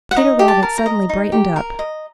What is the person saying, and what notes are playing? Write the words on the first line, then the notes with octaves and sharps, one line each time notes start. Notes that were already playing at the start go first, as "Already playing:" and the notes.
Peter Rabbit suddenly brightened up.
F#5
D#4 D#5
G4
A5
A#4
A#5
D#5
D#4
G4
A#4
D#5